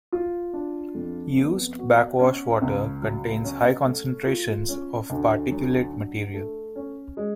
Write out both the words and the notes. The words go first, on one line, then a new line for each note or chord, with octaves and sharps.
Used backwash water contains high concentrations of particulate material.
F4
D4
F2
B3
F#4
C#4
C#2
F#3
C#4
A3
F4
C#4
D2
F#3
D4
A3
C#4
G#3